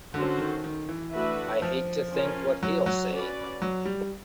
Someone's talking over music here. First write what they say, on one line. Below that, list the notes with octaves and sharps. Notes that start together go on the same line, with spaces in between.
I hate to think what he'll say!
D3 C#4 F#4 A4 C5
D#3
D#3
E3
A3 D4 F#4 B4 E5
F3
C#4 F4 A#4
F#3
F#3
C#4 F#4 B4 D5
F#3
G3